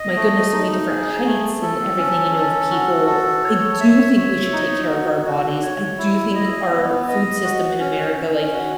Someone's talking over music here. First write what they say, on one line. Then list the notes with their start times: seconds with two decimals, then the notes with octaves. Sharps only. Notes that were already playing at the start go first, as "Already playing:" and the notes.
my goodness, so many different heights and everything, you know, of people. I do think we should take care of our bodies, I do think our food system in America like,
Already playing: D#5
0.16 A3
0.52 D#4
0.88 G#4
1.25 A3
1.62 A4
1.98 C#4
2.34 A4
2.71 F#4
3.07 A4
3.44 C#5
3.80 E5
4.16 C#5
4.53 D#4
4.89 F#4
5.26 F#4
5.62 C#5
5.98 E4
6.35 D#5
6.71 B3
7.08 D#5
7.44 F#4
7.80 C#4
8.17 C#4
8.53 F#4